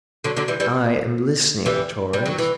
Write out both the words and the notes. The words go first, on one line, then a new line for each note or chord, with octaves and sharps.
"I am listening, Torres."
D3 F#3
D3 F#3
E3 G3
E3 G3
E3 G3
G3
F#3
E3